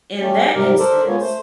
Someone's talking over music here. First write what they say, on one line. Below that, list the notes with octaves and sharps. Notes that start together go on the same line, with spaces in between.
in that instance,
G3 A3 C#4 G4
G#2 C3 G3 G4 A#4
A4 A#4 C5 D5
G#3 A#3 B3 C#4 F4 C#5
A3 C5